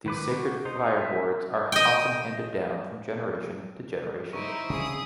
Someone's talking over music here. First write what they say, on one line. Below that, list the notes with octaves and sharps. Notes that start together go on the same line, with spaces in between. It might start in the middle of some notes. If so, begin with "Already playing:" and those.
These sacred fireboards are often handed down from generation to generation.
D#3 B4 D6
F#4 G4
D#4 C5
E5
D#5 G5
D#4 E4 C5 C#6 D7
C#3 G3 C4 G#4 D#6